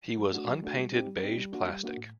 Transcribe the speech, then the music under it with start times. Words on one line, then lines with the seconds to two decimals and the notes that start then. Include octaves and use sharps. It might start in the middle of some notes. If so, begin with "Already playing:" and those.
He was unpainted beige plastic.
0.18 F#3
0.32 A3 D4 F#4
0.48 F#3
0.63 A3 D4 F#4
0.77 G3
0.92 C4 D#4 G4
1.07 G3
1.23 C4 D#4 G4
1.37 G3
1.53 A#3 D4 F#4
1.68 G3
1.83 A#3 D4 F#4
1.97 A2